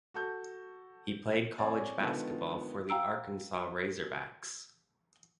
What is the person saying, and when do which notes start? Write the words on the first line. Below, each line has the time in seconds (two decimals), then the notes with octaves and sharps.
He played college basketball for the Arkansas Razorbacks.
0.14 F#4 A4 G6
1.58 C4 C#5 D5 G#5
2.00 D3 D#3 F3 G#3 B3
2.89 F5 G5 A#5 E6 D7